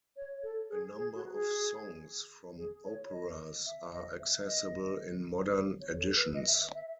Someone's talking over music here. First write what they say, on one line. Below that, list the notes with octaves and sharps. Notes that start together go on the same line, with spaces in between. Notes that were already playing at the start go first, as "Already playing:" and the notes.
A number of songs from operas are accessible in modern editions.
C#5
A4
G#4
G#4
F#4
G#4
G#4
C#5
D#5
E5
D#5
E5
D#5
C#5
A4
B4
D#5
E5
E5